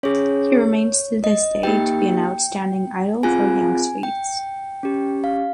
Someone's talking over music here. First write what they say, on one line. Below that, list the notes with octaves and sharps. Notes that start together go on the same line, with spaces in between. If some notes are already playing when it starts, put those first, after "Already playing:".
He remains to this day to be an outstanding idol for young swedes.
C#4 G#4 C#5
D#5
A#3 D#4 G4 G5
C4 F4 G#4 G#5
G5
C#4 G4
F5